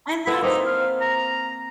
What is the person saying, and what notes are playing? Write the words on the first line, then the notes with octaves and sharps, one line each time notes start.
and that's
B3 E4 A4
A#3 C4 D#4
F5
A#5